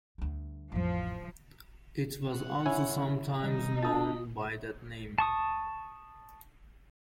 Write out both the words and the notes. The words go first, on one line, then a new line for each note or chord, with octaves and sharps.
It was also sometimes known by that name.
D2 G3
A1 F2 F3
F#5
C#4 E4 G#5
D#3 G3 D#4
D4 F4 A4 A5 D#6
A5 C#6 D#6